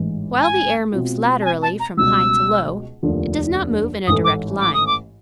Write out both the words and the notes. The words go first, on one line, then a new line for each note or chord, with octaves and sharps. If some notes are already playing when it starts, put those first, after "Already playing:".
While the air moves laterally from high to low, it does not move in a direct line.
Already playing: A1 G#2 E3 G#3
G#5
B2 G#3 C4 F4
A5
G#5
A5
A#5
C#2 B2 G3 E6
F1 D#2 D3 F3 A#3
A1 G#2 E3 A3 D#6
D6
D6
D#6
D6